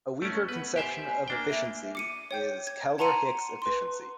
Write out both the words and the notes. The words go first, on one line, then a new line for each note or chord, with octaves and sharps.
A weaker conception of efficiency is Kaldor-Hicks efficiency.
A3 C#4
B3 B4
G4 C5 E5 G#5
A#3 D4 G5
E5
D6 C#7 D#7
C#5 G5 G6
G#6
F#5 A5 A#5 C6 C#7 D#7
B4 C6